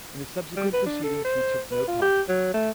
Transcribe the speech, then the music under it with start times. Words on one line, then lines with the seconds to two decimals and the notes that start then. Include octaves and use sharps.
In the subsequent proceedings he took no part.
0.57 G3
0.73 B4
0.86 D4
1.04 A4
1.24 C5
1.71 B4
1.88 F4
2.02 G4
2.29 F#3
2.54 A3